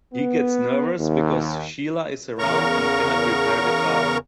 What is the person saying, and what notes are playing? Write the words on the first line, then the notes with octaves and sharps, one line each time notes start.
He gets nervous because Sheela is around and cannot repair the car.
B3
D#2
E2 C#3 A#4 A#5 C#6